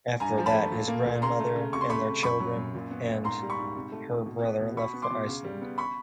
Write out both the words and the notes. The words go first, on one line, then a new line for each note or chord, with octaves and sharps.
After that his grandmother and their children and her brother left for Iceland.
G2 G#5 A#5
F3
A5 B5
A3
A#2
A#3
A#2
C#3 A#5 C6
A3
C#3
C3 C#6
C6
A3 B5 C#6
C3
F#2 B5 C#6
F#3
F#2
A#2
B3
A#2
G#2 A#5 C6
G3
B5 C#6
G#2
C3
A3
C3
B2
B3
B2
B2 B5 C#6
B3
C6 D6
B2
C#3
G3
B3
B5 C#6